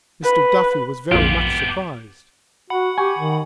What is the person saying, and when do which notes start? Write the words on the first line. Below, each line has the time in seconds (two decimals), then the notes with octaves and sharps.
Mr. Duffy was very much surprised.
0.24 B4
1.12 A#1 F2 B3 F4 G4
1.60 G6
2.70 F#4 F#5 B5
2.98 G4 G#5 C#6
3.18 D#3